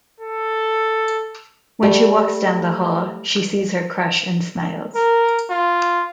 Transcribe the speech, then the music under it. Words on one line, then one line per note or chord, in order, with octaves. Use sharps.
When she walks down the hall, she sees her crush and smiles.
A4
G3 A3
A#4
F4